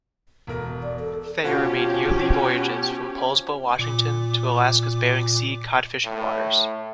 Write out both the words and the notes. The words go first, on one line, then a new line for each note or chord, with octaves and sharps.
Thayer made yearly voyages from Poulsbo, Washington, to Alaska's Bering Sea cod-fishing waters.
E1 A#4
D5
A4
B2 F3 C#4 G4 C6
A#2 D6
A2